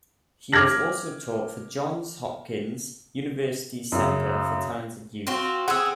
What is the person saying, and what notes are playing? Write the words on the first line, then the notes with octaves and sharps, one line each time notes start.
He has also taught for Johns Hopkins University's Center for Talented Youth.
D6 F6 G#6 A#6 F#7
F#2 C#3
C4 F4 F#4
C4 C#4 G#4 F#5 E6